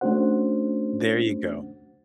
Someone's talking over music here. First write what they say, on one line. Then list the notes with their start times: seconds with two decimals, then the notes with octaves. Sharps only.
There you go.
0.01 A3 C#4 D4 F#4 C5 F#5